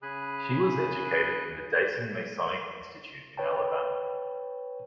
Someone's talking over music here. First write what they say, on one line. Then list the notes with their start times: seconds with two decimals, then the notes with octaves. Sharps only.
She was educated in the Dayton Masonic Institute in Alabama.
0.02 C#3 G#4 G#5 B5 F#6
3.37 B4 C#5 G5 A5